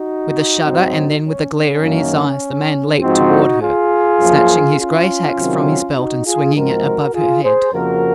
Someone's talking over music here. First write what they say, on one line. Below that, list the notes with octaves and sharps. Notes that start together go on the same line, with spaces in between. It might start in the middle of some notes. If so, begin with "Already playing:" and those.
With a shudder and then with a glare in his eyes the man leaped toward her, snatching his great ax from his belt and swinging it above her head.
Already playing: D#4 F#4
G#2 F#3 C4
C#4
C#4
F#2 D#3 A#3
G#2 F3 C4 D#4 F#4
F4 G#4
F#2 F3 A#3
C#4 F4
C3 D#3 F#3 C4
D#4 F#4
F4 G#4
G#2 F3 G#3 C4 F#4 A#4
F4 G#4
G#4 C5
F2 C#3 F3 A#3 F#4 A#4